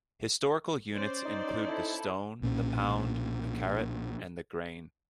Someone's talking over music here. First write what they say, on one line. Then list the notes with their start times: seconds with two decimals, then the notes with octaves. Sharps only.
Historical units include the stone, the pound, the carat, and the grain.
0.95 C#4 C5 D5
1.26 D#4
1.65 E4 A4
2.42 B1 A#2 C#4